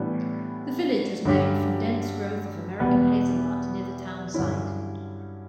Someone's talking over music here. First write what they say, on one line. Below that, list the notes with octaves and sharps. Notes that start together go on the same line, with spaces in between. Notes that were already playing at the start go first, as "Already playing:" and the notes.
The village was named from dense growth of American Hazelnut near the town site.
Already playing: A2 E3 G3 B3 D4
G2 D3 F#3 C#4 G4
E2 B2 G3 B3
G2 D3 F#3 C#4 E4